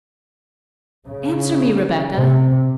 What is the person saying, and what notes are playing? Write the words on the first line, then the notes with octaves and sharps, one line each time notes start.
"Answer me, Rebecca."
C#3
C3